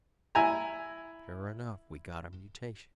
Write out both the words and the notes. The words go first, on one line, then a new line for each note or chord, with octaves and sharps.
Sure enough, we got a mutation.
E4 G#5 A#5